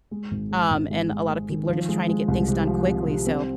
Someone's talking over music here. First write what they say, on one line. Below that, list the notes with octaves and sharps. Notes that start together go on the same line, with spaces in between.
Um, and a lot of people are just trying to get things done quickly. So
G#3
G#1
G#3
G#1
G#3
G#3
G#3
D#3
F3
G#3
G#3
C2
C3
F3
C3
C3
C4